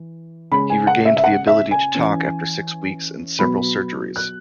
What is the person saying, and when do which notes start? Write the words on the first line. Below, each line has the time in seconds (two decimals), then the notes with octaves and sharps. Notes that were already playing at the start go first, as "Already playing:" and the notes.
He regained the ability to talk after six weeks and several surgeries.
Already playing: E3
0.51 C#3 G#3 C#4 B5
0.70 G#5
0.87 F#5
1.05 E5
1.17 E5
1.24 F#5
1.47 E5
1.71 G#5
1.95 E3 C#4
3.39 B2 F#3 B3 B5
4.16 F#6